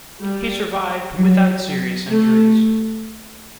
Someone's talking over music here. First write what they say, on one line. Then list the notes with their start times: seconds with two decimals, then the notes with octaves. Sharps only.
He survived without serious injuries.
0.21 G3
1.16 F#3
2.10 A3